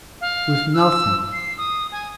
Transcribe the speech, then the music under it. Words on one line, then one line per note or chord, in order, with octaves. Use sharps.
"With nothing."
F5
E6
C7
D#6
G#5